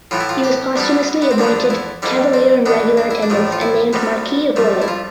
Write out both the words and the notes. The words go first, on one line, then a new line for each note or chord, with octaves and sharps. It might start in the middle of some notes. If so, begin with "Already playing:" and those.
He was posthumously appointed Cavalier In Regular Attendance and named Marquis of Wei.
A2 E3 B3 F4
E4
F4
G4
D2 D3 G3 B3
B3
C4
E2 D3 F3 B3 D4
E4
F2 D3 G3 E4
C4
E2 B2 B3 D4
D4
E4
D4
A1 A2 F3 A3
F4
E4
D2 C3 G3 B3
G2 F3 A3
E4
F4